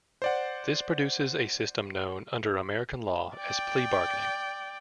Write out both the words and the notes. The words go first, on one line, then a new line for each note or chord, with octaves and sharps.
This produces a system known under American law as plea bargaining.
C5 D5 F#5
D5 G5